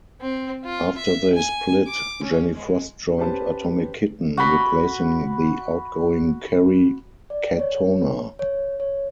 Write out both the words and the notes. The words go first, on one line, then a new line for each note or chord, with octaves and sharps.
After they split, Jenny Frost joined Atomic Kitten, replacing the outgoing Kerry Katona.
C4
F4
E5
G#5
D6
C#4
G#3
C#4 G4 B4 C5 A5
F#4 B5
D5
C#5
C#5
C#5